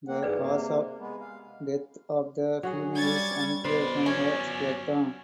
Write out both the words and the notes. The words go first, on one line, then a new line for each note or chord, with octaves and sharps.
The cause of death of the female is unclear from her skeleton.
A#3 C4 F#5
G#2 E3 G#4 B4 D5
C3 A#3
G#3 B3
F5
F#3 F#4 G#4
G3 C#6 G#6 A6
B2 B3 B4 C5 D5
F#3 C#4